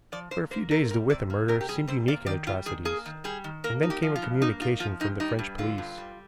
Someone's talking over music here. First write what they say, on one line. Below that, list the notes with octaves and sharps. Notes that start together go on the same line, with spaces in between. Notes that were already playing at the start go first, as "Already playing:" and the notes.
For a few days the Withan murder seemed unique in atrocities, and then came a communication from the French police.
F3 D5
A#2 C5
A#3 C5
C3 A#4
G3 A#4
C3 D5
A#3
C3 A#4
G4
G3 G#4
C3 C5
A#3 D5
D#3 D5
G3 F4
D#3 G#4
A#3 G#4
D#3
G3 G#4
D#3
A#3 A#4
D#4
G4
F3
F4
G2
A#3 D#4
D#4 F4
F3 F4
G2 D#4
G3 D#4
G2
D3 F4
G2
G3